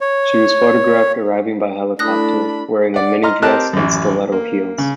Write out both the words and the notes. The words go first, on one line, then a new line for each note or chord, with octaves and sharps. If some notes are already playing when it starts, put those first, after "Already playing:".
She was photographed arriving by helicopter, wearing a mini-dress and stiletto heels.
C#5
A3 D4 E4 A4 B5 D#6 F#6 A#6
D5 F#5
D#5 A#5 C6 F6
C4 G4 A#4 D#5 A5 F#6
A1 F#2
A#3
C#3